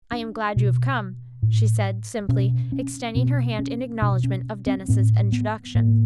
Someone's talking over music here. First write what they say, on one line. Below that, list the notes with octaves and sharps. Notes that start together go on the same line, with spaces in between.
"I am glad you have come," she said, simply, extending her hand in acknowledgment of Denis's introduction.
D4
B2
A2
B2 C#4
C#4
B2 C4
C#4
B2 D4
C#4
C4
A2 C4
B3
A2 A#3